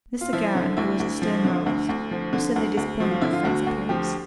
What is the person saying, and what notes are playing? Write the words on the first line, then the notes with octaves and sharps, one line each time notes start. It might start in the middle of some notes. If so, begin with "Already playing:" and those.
Mr. Gowran, who was a stern moralist, was certainly disappointed at Frank's appearance.
F4
F3 E4
D3
D2 E4
D2
F3
D3
D2
D2
F3
D3
D2
D2
F3 F#4
F4
D3 E4
F4
D2 F#4
D2
F3 G4